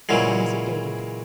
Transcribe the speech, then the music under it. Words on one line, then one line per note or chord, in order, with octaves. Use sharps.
When is it dated?
A#2 C#3 E3 F#3 G#3